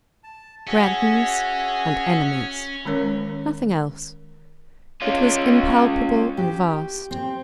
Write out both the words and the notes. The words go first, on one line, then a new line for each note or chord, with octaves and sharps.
"Friends and enemies"--nothing else. It was impalpable and vast.
A5
C#4 F#4 G#4 E5
D#3 G#3 C#4 A#4 C#5
C#4 F4
G4
C4